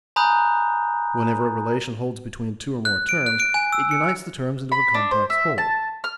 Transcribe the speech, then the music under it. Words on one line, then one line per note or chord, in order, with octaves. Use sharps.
Whenever a relation holds between two or more terms, it unites the terms into a complex whole.
G#5 A#5 B5 D#6 F#6 G6
F#6
D7
F#6
D7
G#5
E6
C#7
B5
D4
C5
E5
A5
F6